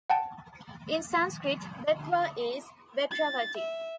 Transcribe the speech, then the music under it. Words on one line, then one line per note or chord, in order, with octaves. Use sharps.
In Sanskrit "Betwa" is "Vetravati".
F#5 G5 A5
A6
E5